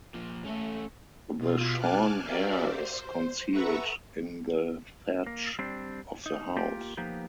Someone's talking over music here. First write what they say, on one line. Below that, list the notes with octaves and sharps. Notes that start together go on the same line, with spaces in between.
The shorn hair is concealed in the thatch of the house.
A#2 F3
A3 C#4 A4
B2 F4
G#5 A5 D6 F6 F#6
F#4 G4 A#4 D5 E5 F5
C5
A4 B4 E5 F#5 A#5 C#6
A#3
G3 C4 D4
D#4
A#3 F4 G4
F3 A#3 B3 D#4 G4